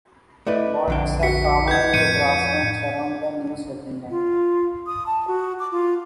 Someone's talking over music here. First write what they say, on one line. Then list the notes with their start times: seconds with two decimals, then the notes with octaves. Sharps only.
Boids are common in the grasslands around the new settlement.
0.47 A3 E4 B4 D5 D#5
0.88 A#1 F2 D3 G5
1.23 F#4 B6 C#7
1.68 B4 D#5 F#5 G6 G#6
1.93 F2 A2 G6 C#7 D#7
4.10 F4
4.87 D#6
5.06 A5
5.28 F#4
5.59 D6
5.72 F4